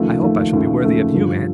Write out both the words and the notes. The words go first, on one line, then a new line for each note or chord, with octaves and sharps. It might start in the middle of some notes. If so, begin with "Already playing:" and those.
'I hope I shall be worthy of YOU, aunt.
Already playing: D#2 C#3 F3 A3
D#2 C#3 F3 A3
D#2 C#3 F3 A3
D#2 C#3 F3 A3
G2 D3 F3